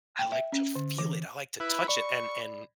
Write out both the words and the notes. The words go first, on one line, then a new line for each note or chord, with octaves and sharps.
I like to feel it, I like to touch it, and and
G5
E5
C#4
D3
E3
E4 B4
D5 B5 C#6